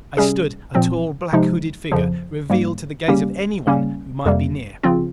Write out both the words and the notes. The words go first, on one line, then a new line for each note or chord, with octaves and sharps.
I stood, a tall, blackhooded figure, revealed to the gaze of anyone who might be near!
C3 G3 C#4 G#4
A#2 F3 C4
C3 F3 G#3 D#4
F2 C#3 F3
G#2 G3 A#3
C#3 G3 A#3 C#4 G4
C#3 G3 A#3 C#4
F2 C3 G3 A#3
C#3 F3 C4 F4